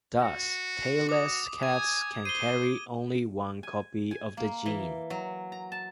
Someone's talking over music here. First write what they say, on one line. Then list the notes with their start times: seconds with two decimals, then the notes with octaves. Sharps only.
Thus, tailless cats can carry only one copy of the gene.
0.22 F#4
1.09 F#4 D6 D#6
1.63 G#5 G#6
2.25 C5 D#7 G7
3.63 G#5
4.11 G#5
4.37 A#3
4.66 E3
5.10 F#3
5.52 A#5
5.72 A5